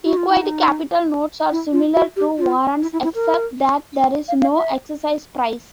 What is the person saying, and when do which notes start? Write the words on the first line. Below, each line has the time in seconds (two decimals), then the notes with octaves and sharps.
Equity capital notes are similar to warrants, except that there is no exercise price.
0.04 F#4
0.17 F4
0.29 E4
0.42 D#4
1.51 E4
1.73 F4
1.95 F#4
2.16 G4
2.38 F4
2.82 E4
2.93 E4
3.04 E4
3.15 A#4
4.28 F5
4.42 F5
4.57 E5